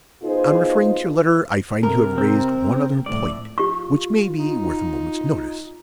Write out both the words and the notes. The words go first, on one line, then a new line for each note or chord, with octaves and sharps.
On referring to your letter, I find you have raised one other point, which may be worth a moment's notice.
B2 D#4 F4 G#4 C5
C3 A#4
C4
F2 A2 D5
F4 G4 C#6
D#4